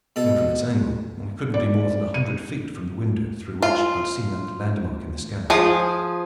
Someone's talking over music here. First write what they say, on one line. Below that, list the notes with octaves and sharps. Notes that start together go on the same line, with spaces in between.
Judging from its angle, we couldn't be more than a hundred feet from the window through which I'd seen that landmark in the scanner.
B2 A4
D5
D#7
F4
F3 G#4